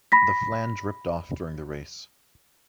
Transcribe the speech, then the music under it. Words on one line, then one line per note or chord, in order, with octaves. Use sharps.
The flange ripped off during the race.
B5 A#6 B6